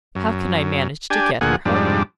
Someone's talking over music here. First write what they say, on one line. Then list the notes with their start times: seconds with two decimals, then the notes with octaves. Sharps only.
'How can I manage to get her home?
0.15 F#2
1.10 D4 G4 G#5
1.41 D2 A#2 G#4 F#5
1.65 F2 G#2 G3 D4